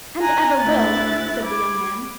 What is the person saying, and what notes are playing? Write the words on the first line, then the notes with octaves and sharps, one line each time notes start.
'And ever will!' said the young man.
G#5 A#5 F#6 A#6
D2 E4 E5 F#6 A6
B5 D6 G#6